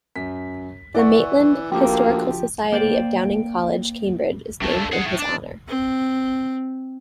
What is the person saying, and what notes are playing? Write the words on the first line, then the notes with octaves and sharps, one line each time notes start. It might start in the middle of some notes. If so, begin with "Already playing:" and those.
The Maitland Historical Society of Downing College, Cambridge, is named in his honour.
F#2 B6
E3 E4 D5 E5 F#5 C#6
D2 F3 A#3 G4 G5
A#3 C5 D5 G5
C3 A3
G2 A3
G#4 F#5
A2
D4 D5
C4